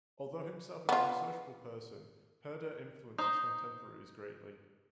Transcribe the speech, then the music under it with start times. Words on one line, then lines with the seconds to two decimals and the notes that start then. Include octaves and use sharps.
Although himself an unsociable person, Herder influenced his contemporaries greatly.
0.89 B3 F4
3.18 D#4 C5